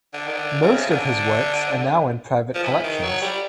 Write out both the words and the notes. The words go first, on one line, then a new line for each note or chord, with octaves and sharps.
Most of his works are now in private collections.
D3
D#3
D3
C#3
C3
C#3
D3
F3
E3
D#3
F#3
G3